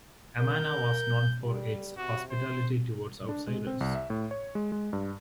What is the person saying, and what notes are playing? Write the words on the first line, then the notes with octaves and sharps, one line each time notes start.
Amana was known for its hospitality towards outsiders.
A#4 G6
G3
C3 F#4
C5
D4
G#3
C4
C2
E5
A2
C#5
G#3
G#3
G2